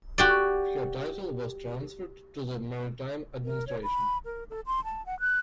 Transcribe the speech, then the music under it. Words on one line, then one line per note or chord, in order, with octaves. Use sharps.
Her title was transferred to the Maritime Administration.
F#4 G4 D5
A#4
C#5
B5
A#4
A4
C6
A5
F#5
F#6